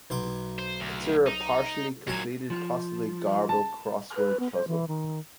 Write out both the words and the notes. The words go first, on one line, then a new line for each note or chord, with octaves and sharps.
Consider a partially completed, possibly garbled crossword puzzle.
B1 C6 D6
C5
D2
D#4
D#2 A#2 F#3 G#5
F3
A5
B4
B3
C5
E3
D#3